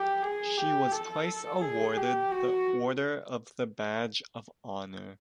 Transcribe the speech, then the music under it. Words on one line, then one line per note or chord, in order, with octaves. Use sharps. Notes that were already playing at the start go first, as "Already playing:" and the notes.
She was twice awarded the Order of the Badge of Honor.
Already playing: G4
G#4
G4
A4
G#4
G4
F#4